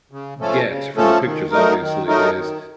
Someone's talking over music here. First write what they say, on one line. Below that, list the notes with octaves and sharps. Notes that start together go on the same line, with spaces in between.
get from the pictures, obviously is,
C#3
F3 A3 C#4 A4
C#3
F3 A3 C#4 A4
D#3
F#3 A3 D#4 A#4
D#3
F#3 A3 D#4 A#4
D#3